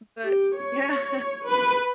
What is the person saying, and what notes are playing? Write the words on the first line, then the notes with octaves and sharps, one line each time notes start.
but Yeah.
G4
C#5
B4